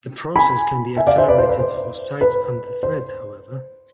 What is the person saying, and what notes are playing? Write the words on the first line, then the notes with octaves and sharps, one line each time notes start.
The process can be accelerated for sites under threat, however.
G#5 B5
E5 G#5
D5 F5
C5 E5
B4 D5
C5
B4
C5
B4
C5